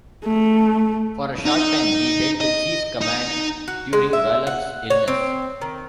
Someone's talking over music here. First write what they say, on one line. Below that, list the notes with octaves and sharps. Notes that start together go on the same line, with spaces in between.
For a short time, he held the chief command during Wallop's illness.
A3
D#4
D#5
D#4
F#4
G#3
E5
F#5
C#5
C4
D#3